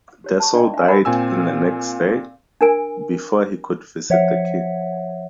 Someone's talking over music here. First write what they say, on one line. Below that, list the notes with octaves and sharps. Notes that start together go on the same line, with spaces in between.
Desault died the next day, before he could visit the King.
G4 C#5
A5 C#6
D4 D5 D#5 G5
E5 G#5
A#4 F#5 G#5 A#5 B5 C#6
A#2 C4 G#5 E6
D4 A#4 G#5
F3 C#5 E5 F#5